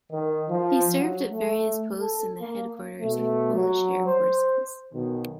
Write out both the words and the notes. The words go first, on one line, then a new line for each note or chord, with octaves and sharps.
He served at various posts in the Headquarters of the Polish Air Forces.
D#3
F3
F#3
A3
A4
A#3
B2 A3
F#3
C5
B1 B2 D#3